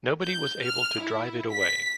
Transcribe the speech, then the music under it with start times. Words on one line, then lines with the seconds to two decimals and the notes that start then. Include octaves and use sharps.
Nobody was able to drive it away.
0.24 G6
0.63 F6
1.01 E4
1.51 B6